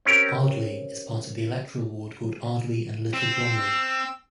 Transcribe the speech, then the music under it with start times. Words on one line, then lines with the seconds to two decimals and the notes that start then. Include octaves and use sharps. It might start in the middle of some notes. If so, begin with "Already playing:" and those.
Ardleigh is part of the electoral ward called Ardleigh and Little Bromley.
0.06 C4 C#4 G4 A#4
3.14 C4 E6